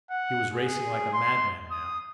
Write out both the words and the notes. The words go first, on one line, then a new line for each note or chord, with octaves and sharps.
He was racing like a madman now.
F#5
G#4
C6
D#6